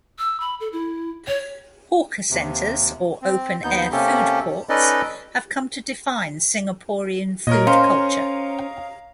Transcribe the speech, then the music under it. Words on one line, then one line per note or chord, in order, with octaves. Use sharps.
Hawker centres, or open air food courts, have come to define Singaporean food culture.
E6
B5
A4
E4
C#5
D#2 C3
C4
D#2 B3 D#4 G6
C3 A#3 C#4 G4 A4
C#4 D#4 A4 B4 D5 D#5
A#2 A#4 C#5 D#5
C#4 C5 F5 A#5